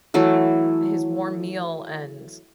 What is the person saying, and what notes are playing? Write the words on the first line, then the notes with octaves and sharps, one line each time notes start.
his warm meal and
E3 F#3 A3